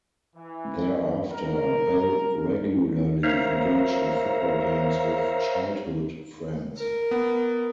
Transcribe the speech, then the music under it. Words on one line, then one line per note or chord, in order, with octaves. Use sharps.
Thereafter, Bell regularly engaged in football games with childhood friends.
E3
A#4
A#4 C5 C#5 E5 F5 A#5
A#4
B3